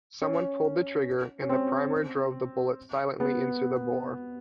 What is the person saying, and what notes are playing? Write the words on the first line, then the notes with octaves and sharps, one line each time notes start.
Someone pulled the trigger and the primer drove the bullet silently into the bore.
C#4
C#4
C4
B3